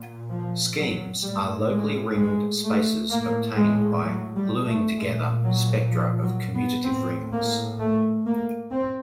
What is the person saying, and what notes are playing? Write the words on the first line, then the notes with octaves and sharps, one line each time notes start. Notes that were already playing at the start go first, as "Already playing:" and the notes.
Schemes are locally ringed spaces obtained by "gluing together" spectra of commutative rings.
Already playing: A#2
F3
F#3
A2 G3
G#3
G#3
A3
A2 A#3
G#3
F#3
G3
A3
A#2 G#3
F#3
F3
F#3
B3
A2 C4
A#3
A3
A#3
C4